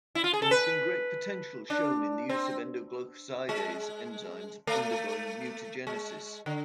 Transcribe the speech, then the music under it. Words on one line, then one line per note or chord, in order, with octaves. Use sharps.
There has been great potential shown in the use of endoglycosidase enzymes undergoing mutagenesis.
E4
F4
G#4
A4
B4
D4
C4
G#3
A3
G#3
D3